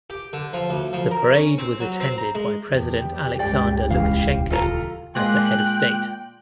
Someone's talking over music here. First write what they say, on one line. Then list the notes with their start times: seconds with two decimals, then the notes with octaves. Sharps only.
The parade was attended by President Alexander Lukashenko as the head of state.
0.10 G4
0.33 D3
0.53 F3
0.70 D2
0.93 F3
1.11 A#4
1.35 C#4
1.58 C4
1.80 F#3
2.00 C4
2.18 A#5
2.35 G#3
2.69 E2 G4
3.39 C#2 G2 D5 G5
3.90 D#1 C#3 E3 F5
4.50 F4 A4 A#5
5.15 A#2 G#3 A#3 G5 F#6